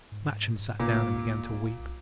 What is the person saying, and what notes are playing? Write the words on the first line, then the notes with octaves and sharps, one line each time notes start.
Matcham sat down and began to weep.
G#2
F1 A#2
C#2
C2